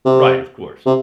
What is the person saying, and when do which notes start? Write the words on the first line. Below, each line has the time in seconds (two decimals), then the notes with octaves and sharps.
Right, of course.
0.05 C3
0.86 C3